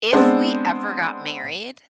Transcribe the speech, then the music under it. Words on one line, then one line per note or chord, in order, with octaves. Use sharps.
if we ever got married"
G#3 B3 C4 D4 A4 C5